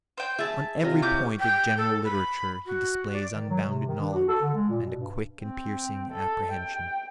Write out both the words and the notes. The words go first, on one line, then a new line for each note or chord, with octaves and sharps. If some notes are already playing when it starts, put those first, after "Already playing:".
On every point of general literature he displays unbounded knowledge and a quick and piercing apprehension.
C5 G5
G#4 E5 A5
C3 F4 D#5
C#4 E4 D6 G6
G5
A4
B5
F#4
D5
D#3
F#3
C3
D#3
D4
F#4
A4
D3
G#3
A#2
B2
G2
C4
A4
G5